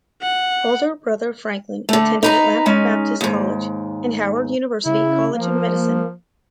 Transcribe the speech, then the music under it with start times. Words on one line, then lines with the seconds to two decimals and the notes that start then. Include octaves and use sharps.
Older brother Franklin attended Atlanta Baptist College and Howard University College of Medicine.
0.22 F#5
1.89 D3 A3
2.23 D#4 B4 A#5
2.66 G#3 C#4 D#4
3.21 D#2 G#2
4.86 C#3 E4
5.35 F3 A#3